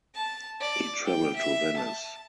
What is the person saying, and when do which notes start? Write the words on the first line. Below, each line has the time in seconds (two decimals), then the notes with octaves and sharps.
He traveled to Venice.
0.15 A5
0.60 D5
1.05 G5
1.36 E5
1.77 A5